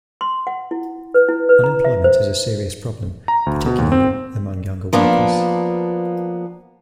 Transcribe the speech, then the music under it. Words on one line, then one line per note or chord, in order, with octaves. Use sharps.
Unemployment is a serious problem, particularly among younger workers.
C6
F#5
E4
B4
E4
B4
A#5
E5
C5
A#5
D2
B2
D#2
C4
F3 A#3 B3 D4